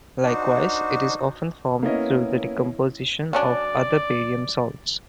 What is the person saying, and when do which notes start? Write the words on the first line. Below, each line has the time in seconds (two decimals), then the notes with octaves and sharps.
Likewise, it is often formed through the decomposition of other barium salts.
0.25 D4 D#4 F#4 C5
1.83 A#3 B3 C#4 E4 C#5 D#5
3.33 F#3 C#4 D4 D5